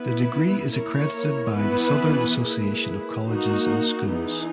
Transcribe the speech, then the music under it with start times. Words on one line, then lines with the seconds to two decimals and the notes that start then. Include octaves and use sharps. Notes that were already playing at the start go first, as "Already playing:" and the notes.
The degree is accredited by the Southern Association of Colleges and Schools.
Already playing: B3 E4 B4
0.73 A#3 E4 A#4 C#5
1.57 E3 B3 E4 B4
2.41 A#3 E4 G#4 B4
3.27 A#3 D#4 F#4
4.11 E3 B3 D#4 G#4